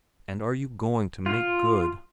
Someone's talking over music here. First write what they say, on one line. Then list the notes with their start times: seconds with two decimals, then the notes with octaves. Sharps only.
And are you going to make good?
1.26 F4